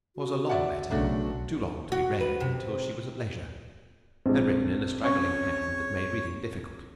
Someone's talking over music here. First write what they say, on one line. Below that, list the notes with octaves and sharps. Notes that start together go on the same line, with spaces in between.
It was a long letter, too long to be read until she was at leisure, and written in a straggling hand that made reading difficult.
F#4
D5 E5 F#5
B1 C#3 A3 D4 F#4
F#4
B4
C3
A#1 G#3 C4
C#4 C#5